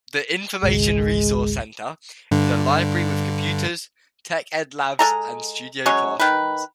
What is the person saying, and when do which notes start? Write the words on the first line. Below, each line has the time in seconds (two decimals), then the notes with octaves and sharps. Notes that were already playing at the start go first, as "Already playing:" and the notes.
The Information Resource Center is a library with computers, tech-ed labs, and studio classrooms.
0.63 G#1 C#2 G#3
2.31 G2 D3
4.99 G#3 A4 A#5
5.86 F#3 G#3 C#4 C#5
6.20 D#3 A#4 B4